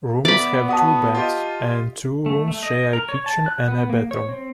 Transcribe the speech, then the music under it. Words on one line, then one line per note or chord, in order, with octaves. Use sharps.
Rooms have two beds and two rooms share a kitchen and a bathroom.
B3 D5 E5 B5
F#4 F#5 A5 D#6
F4 G4 D#5
A3
A3
D#5
A#4
C#5
A5
F#6
B3
A#3
C#5
C4